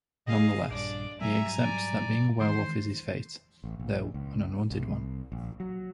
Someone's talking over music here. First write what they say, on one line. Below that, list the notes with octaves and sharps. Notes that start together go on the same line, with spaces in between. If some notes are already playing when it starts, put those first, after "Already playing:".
Nonetheless, he accepts that being a werewolf is his fate, though an unwanted one.
G#4 D#5 F5
A#1 G2 D4 D5 D6
G#2 F#3 G3 E5 G#5 A#5
D5
D#3 E3 G#3 C5 C6
A1
A#1
C#2
C2
A#1
F#3